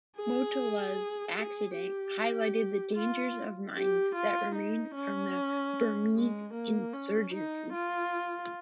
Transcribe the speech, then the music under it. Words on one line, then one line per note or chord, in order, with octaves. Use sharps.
Motola's accident highlighted the dangers of mines that remain from the Burmese insurgency.
G#4
G#4
G4
F4
G4
F4
D#4
C#4
G#3
A#3
C#4
D#4
F4